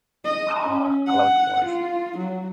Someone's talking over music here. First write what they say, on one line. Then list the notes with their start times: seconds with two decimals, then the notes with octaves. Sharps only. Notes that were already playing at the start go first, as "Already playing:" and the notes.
Ah, I love The Boys.
0.24 D#5
0.62 C#4
1.07 F#5
1.65 F4
2.18 F#3